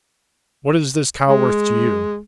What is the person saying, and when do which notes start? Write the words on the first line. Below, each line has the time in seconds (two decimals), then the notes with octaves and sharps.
"What is this cow worth to you?"
1.29 G#3